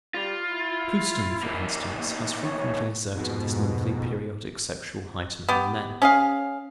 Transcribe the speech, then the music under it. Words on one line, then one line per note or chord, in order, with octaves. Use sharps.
Clouston, for instance, has frequently asserted this monthly periodic sexual heightening in men.
G3 F4
E4
E2 A#3
C#5
F2 G#2 B2
B3 G4
C#4 G#4 F5